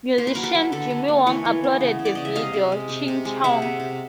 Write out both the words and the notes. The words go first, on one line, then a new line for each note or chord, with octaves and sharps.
Musician Jimmy Wong uploaded the video, Ching Chong!
A#3 C5
B4
F#3 A#4
A4 B4
F#3
D3 A4 B4
D3
A#3
E3 B4 C#5
E3
B3
C#3
C#3
D5
C#3 D#5
E5
C3 D#5 F5
C3
G#3
C3
C3
G#3
C3 E5 F#5
C3
C3